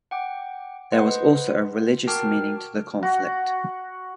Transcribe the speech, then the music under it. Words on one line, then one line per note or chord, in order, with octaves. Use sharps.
There was also a religious meaning to the conflict.
F#5 G5 D6
B4 C5 D#5 F#5 C6
F#4 A#4 G5 A5 D6 F6
F#4